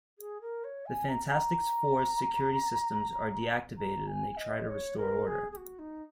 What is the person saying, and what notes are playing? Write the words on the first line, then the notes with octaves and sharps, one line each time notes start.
The Fantastic Four's security systems are deactivated and they try to restore order.
G#4
A#4
C#5
G#5
A#5
A#5
A#5
G#5
D#5
C#5
A#4
G#4
G#4
F#4
D#4